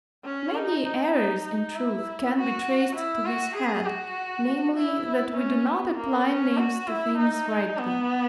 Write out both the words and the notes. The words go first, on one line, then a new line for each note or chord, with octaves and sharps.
Many errors, in truth, can be traced to this head, namely, that we do not apply names to things rightly.
C#4
D#4
D#4
D#4
D#4
E4
F#4
E4
F#4
G#4
F#4
E4
C#4
B3
A#3
C#4
F#4
E4
D#4
D#4
B3